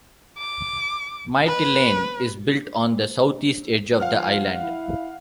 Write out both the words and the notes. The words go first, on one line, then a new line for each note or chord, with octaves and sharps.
Mytilene is built on the southeast edge of the island.
D6
B4
F3 F5 F#5 F6
E4